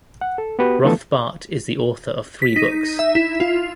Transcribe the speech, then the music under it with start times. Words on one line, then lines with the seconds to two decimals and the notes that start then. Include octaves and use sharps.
Rothbart is the author of three books.
0.21 F#5
0.38 A4
0.59 B3 F#4 G4 B4
0.85 D3 E3 F3 A3 B3 A4
2.42 B6
2.56 D#4
2.99 E5
3.15 E4
3.40 F4